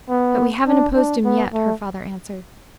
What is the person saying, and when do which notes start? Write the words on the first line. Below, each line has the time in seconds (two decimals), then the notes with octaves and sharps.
"But we haven't opposed him yet," her father answered.
0.09 B3
0.67 D4
0.95 D4
1.24 B3
1.53 A3